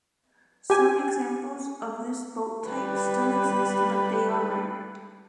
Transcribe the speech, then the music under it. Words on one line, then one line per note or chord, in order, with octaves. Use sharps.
Some examples of this boat type still exist but they are rare.
G4 G#5
G3 B4